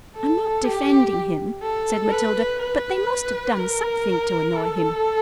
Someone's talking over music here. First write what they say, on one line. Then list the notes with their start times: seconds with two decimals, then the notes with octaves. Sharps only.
"I'm not defending him," said Matilda, "but they must have done something to annoy him."
0.16 A4
0.64 G4
1.63 A4
2.12 B4
2.60 B4
3.58 A#4
4.56 A4